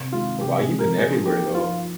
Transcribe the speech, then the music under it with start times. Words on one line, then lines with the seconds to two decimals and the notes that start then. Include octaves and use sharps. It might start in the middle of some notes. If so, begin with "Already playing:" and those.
But, wow, you've been everywhere though.
Already playing: C3
0.12 D#3 G#3 F4
0.40 C3 G4
0.59 G#4
0.69 D#3 G#3
0.79 A#4
0.97 F3 G#4
1.26 A#3 D#4 G4
1.54 F3 F4